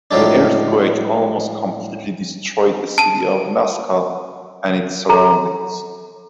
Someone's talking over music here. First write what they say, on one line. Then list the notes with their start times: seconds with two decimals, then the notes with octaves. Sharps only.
The earthquake almost completely destroyed the city of Nasca and its surroundings.
0.11 A2 F3 F#3 G#3 D4
2.98 A5 D#7
5.09 A4 A#5